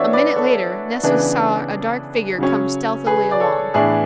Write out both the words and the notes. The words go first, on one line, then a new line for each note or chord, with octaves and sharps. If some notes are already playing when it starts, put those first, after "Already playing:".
A minute later Nessus saw a dark figure come stealthily along.
Already playing: E3 B3 D4 F#4 C#5 D5 E5
B4 D5
A4 C#5
C#3 E3 B3 D4
C#3 F#3 C#4
G#4 B4
D5
A4 C#5
A2 E3 B3 D4 G#4 B4